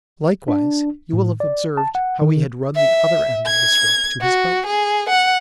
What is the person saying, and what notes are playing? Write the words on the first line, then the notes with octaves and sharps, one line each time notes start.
'Likewise you will have observed how he had run the other end of this rope to his boat.'
D4
A2
D5
A5
F#5
D#3
E5
G#6
F#4
G#4
F#5